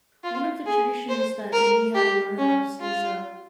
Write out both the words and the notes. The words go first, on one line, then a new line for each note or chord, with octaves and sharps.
one of the traditions that we have in our house is, uh,
F4
G#4
C5
A#4
G4
C#4
F4